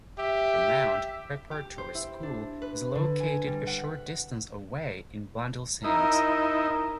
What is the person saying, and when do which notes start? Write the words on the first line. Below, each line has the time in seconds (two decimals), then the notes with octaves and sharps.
"The Mount" preparatory school is located a short distance away in Blundellsands.
0.19 G4 E5
1.51 G4
1.78 C5
1.95 E4
2.23 D4
2.62 B4
2.95 D3
3.20 G#5
3.47 G3
3.67 F#5
3.84 B6
5.84 D#4 E4 A#4